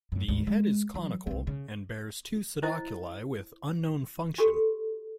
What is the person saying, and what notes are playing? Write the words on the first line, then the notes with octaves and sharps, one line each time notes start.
The head is conical, and bears two pseudoculi with unknown function.
F#2
G#1 D2
G#3
E3 F#3
C2 C4
C#3
E4 C5 D#5
F#4 G4 A4